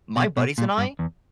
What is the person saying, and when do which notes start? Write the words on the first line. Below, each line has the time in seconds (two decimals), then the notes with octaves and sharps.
My buddies and I,
0.17 B2
0.37 B2
0.58 A#2
0.78 G2
0.99 E2